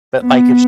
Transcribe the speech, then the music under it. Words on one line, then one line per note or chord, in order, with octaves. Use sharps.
but, like, if sh
B3